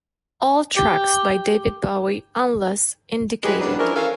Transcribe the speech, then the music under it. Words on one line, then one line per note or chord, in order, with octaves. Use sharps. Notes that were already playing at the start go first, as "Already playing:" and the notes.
All tracks by David Bowie unless indicated.
G4
E3 F#3 G#3 G4 G#4 B4
E3 F#3 G3 B3 D4
F3 C#4 D4 E4 A#4
E3 C#4 A4 C#5 F5